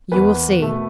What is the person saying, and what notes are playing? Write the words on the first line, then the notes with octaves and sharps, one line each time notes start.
"You will see."
E2 B4
B2 A3